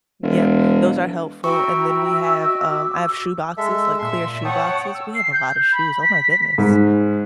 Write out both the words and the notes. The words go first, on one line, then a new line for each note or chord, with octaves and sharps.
yup, those are helpful and then we have, um, I have shoe boxes, like, clear shoe boxes. We have a lotta shoes, oh, my goodness.
E1
E4 F#4 E5 G5 A#5 C#6
D#5 G5
D6 E6
G#3 A4 E5
A#2 E5 C6
C#5 F#5 G5 A5 D#6
E6
C7
G6
B5
B6
G#2